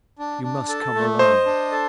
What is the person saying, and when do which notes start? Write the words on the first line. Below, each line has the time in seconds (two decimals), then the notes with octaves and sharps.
You must come alone.
0.19 D4
0.43 D4
0.69 A4
0.95 A3
1.19 C5 D#5
1.46 D4
1.71 A4